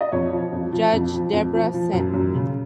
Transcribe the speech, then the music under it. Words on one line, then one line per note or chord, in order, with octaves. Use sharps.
Judge Debra sent me.
D#5
F2 C#5
F3
F2
F3
F2
F3
F2
F3
F3
F#2
F#2
C#3